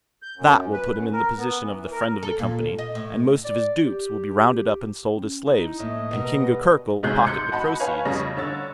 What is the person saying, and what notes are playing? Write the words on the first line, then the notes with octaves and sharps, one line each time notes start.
That will put him in the position of the friend of the Company, and most of his dupes will be rounded up and sold as slaves, and King Gurgurk'll pocket the proceeds.
G6
F#2
B4
F#2
A#4
B3
E3
E3
A#4
A4
A#2
D#5
A2
D5
G4
C#4 G5
D#4 E4
A#1 A2 A#3 A4 C#5 D#5 E5
B2 G3 B3 A#4 B4
D#2 G#2 C3 G#4 F#6 G6
C6 D6 F#6 G6 C#7
F#4 D#5 A5 B5
B4 C#5 F5 G#5
F2 C#3 G3 C#6 A#6
D3 C#5 E6 A6